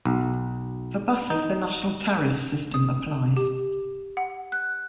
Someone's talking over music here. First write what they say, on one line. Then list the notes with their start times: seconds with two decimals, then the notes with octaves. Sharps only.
For buses the National tariff system applies.
0.06 B1
1.30 D#4
2.74 D#6
3.37 G4
4.17 F#5
4.52 F#6